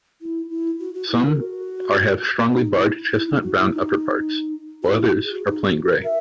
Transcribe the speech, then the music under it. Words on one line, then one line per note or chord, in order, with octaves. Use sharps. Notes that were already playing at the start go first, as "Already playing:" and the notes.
Some are have strongly-barred chestnut-brown upperparts, while others are plain grey.
E4
E4
F#4
F#4
E4
A#4
F#4
D#4
E4
E4
D#4
F#4
E4
D#4
F#4
E4
F#4
G#4
F#4
D#4
F#4
A#4
E5